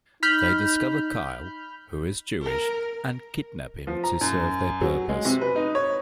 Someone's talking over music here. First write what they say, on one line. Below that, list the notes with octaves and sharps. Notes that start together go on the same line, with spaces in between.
They discover Kyle, who is Jewish, and kidnap him to serve their purpose.
D#4 B5 F6 G6
A#4
F3
A#5
F#2
F#3
G#3
C3
B4
D#4
C#5